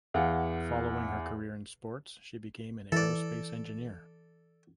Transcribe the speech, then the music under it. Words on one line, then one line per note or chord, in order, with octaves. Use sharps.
Following her career in sports she became an aerospace engineer.
E2 F5 F#5
E3 A4 D5